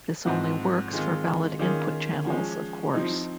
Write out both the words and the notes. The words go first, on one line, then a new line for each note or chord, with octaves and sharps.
This only works for valid input channels, of course.
G#2 F3 C4 F#4
D#3 G#3 C4 F4
D#3 A#3 C#4 F4 G#4
F3 G#3 C#4
F3 C4 D#4